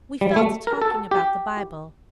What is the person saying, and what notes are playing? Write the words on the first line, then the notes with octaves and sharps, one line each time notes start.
We fell to talking about the Bible.
G3
A3
A#4
A4
G4